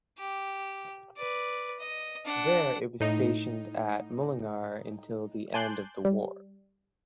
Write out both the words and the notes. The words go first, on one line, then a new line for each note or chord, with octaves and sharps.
There it was stationed at Mullingar until the end of the war.
G4
B4 D5
D#5
D4 F#5
A2 D#4
G#5 A5 C6 D6 F#6 G6
G3